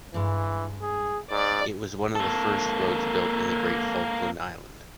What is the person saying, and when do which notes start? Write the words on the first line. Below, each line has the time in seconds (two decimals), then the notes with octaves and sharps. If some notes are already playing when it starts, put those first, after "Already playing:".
It was one of the first roads built in the Great Falkland island.
0.14 G2 E3 G#3
0.82 G#4
1.31 G#2 D5
2.15 A#3 A4